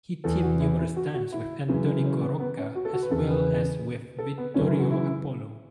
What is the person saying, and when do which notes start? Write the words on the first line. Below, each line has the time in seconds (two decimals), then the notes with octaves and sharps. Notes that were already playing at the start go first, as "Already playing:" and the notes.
He teamed numerous times with Antonino Rocca, as well as with Vittorio Apollo.
0.24 E2 E3 A4
0.43 F#4
0.60 E4
0.79 E4
0.96 F#4
1.14 F#4
1.32 E4
1.68 F#2 C#3 E3
2.04 C#4
2.21 B3
2.39 B3
2.57 C#4
2.75 F#4
2.85 A4
2.93 F#4
3.02 B4
3.11 E2 C#3 E3 A4
3.30 B4
4.19 A4
4.38 B3
4.54 F#2 C#3 E3 C#4
4.67 E4
4.80 F#4
4.91 E4